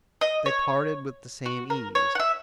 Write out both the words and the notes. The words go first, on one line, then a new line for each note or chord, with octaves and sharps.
They parted with the same ease.
D#5
C#5
F#4
A#4
C#5
F#5
E5